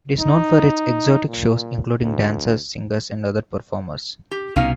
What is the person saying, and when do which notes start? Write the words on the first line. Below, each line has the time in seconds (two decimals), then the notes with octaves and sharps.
It is known for its exotic shows including dancers, singers, and other performers.
0.19 D#4
1.28 A#2
2.03 D2
4.31 G4
4.56 C2 B2 B3 C#4 D#4 F5